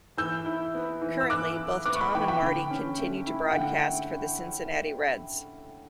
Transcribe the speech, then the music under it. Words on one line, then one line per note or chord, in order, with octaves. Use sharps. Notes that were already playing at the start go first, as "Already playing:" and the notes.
Currently, both Thom and Marty continue to broadcast for the Cincinnati Reds.
E3 E6 G6
E4
B3
E3
E6
E3 D6 F#6
E4
B3 D6 F#6
C#6
B5 D6
E3 G5 B5
G5 B5
D3
C#4
A3
E4
F#5
D3 G5